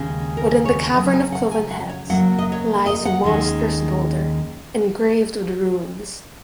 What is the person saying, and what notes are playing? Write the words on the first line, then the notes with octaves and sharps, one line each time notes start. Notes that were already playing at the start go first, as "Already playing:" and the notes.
Within the Cavern of Cloven Heads lies a monstrous boulder engraved with runes.
Already playing: D#2 C#3 G#3 C#4
A#4
C#5
C#3 F#3 C#4 D#5
G#5
F#5
G#5
F#5
C#5
C#3 F#3 A#3 F#5
D#5
C#5
D#5
F#5
D#2 D#3 G#3 C#4